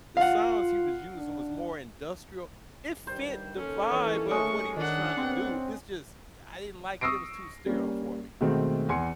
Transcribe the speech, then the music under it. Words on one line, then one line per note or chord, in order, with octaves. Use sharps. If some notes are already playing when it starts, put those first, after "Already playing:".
The sounds he was using was more industrial. It fit the vibe of what he was trying to do, it's just I didn't like it, it was too sterile for me.
F4 F5 F#5
D4
G2 D#3 G3 C5
A#3 C#4 D#4 A4
E3 C#5
G#3 A3 C#4 C#6 D#6
D#3 D4 F#5
D2 D3 B3 C4
C#6 D#6 E6 A#6 C7 D7
G3 A#3 C#4
B2 D#3 G#3 A3 C4
E2 G#5 C6 C#7